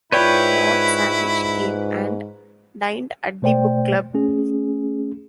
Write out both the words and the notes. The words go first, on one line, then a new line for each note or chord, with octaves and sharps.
Lord Sandwich came and dined at the book-club.
G#2 E4 F4 B4 C#5 D5 G5
B2 A3 C5 D5 G5
A3 C#4 G#4